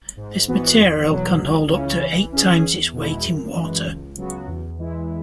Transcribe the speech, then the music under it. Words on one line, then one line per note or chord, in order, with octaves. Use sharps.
This material can hold up to eight times its weight in water.
G#2
E3 B3 F#4
E2
B2 F#3
C#2
C#3 E3 C#4
E3
C#4 G#4
E2
B2 G#3 E4
F#2
E3 G#3
C#2
C#3 F#3 B3 F#4
E2
E3 G#3 E4